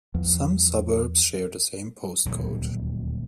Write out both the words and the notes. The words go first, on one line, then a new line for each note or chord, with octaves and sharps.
Some suburbs share the same postcode.
E2 F3
D#1 D2 F#3